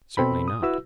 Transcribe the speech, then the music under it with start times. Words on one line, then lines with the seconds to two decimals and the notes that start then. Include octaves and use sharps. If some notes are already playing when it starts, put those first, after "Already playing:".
Certainly not.
0.17 B2 C4 A4 B5
0.48 D#6
0.63 E4 F#4 B4 E6